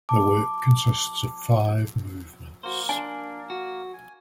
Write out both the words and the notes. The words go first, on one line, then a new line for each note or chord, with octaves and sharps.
The work consists of five movements.
A5 D6
A#3 F#4 A#4 C5
D4 G#5
F#4
G#5